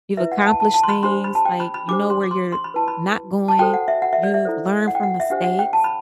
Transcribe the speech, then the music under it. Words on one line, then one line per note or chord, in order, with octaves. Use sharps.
you've accomplished things, like, you know where you're not going, you've learned from mistakes.
E4 B4 E5
F#5
A5
A5
A5
C6
B5
D4 G4 C5 C6
B5
A5
G5
B5
B5
D4 G4 C5 D6
C6
D6
C6
C6
B5
E4 B4 A5
B5
A5
F#4 A4 C5 G5
F#5
E5
F#5
E5
D5
E5
E4 A4 C5
F#5
G5
F#5
E5
D4 G4 C5 F#5
F#5
G5
A5
B5